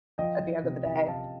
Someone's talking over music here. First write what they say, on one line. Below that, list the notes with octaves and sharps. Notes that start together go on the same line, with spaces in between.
at the end of the day,
F3 D#5 G5
F3
C3
C3
C3 F5 A5